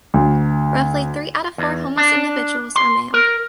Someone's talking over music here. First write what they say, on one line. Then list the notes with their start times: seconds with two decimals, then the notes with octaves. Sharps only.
Roughly three out of four homeless individuals are male.
0.14 D2
1.58 E2
1.97 D4
2.76 C6
3.14 A#4